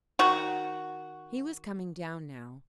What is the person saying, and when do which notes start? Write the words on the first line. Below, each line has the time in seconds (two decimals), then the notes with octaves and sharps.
He was coming down now.
0.19 D#3 F#4